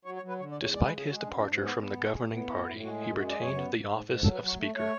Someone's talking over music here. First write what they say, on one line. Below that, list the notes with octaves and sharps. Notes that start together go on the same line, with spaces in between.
Despite his departure from the governing party, he retained the office of Speaker.
F#3 C#5
C#5
F#3
B4
D3 C#5
D5
E2 C#5
G#3 D5
B4
C#3
G#4
G#3 F#4
F#2 D4
G#2 D4
B3 C#4
B3 C#4
G#3
A2
B3
A2 E4
A2 E4
G#3 F#4
F#2 G#4
G#3 F#4
D5
F#2
C#5
B3
G#2
G#2
G#2
F#3 A4
B4
F#3
C#5
A3
A3 C#5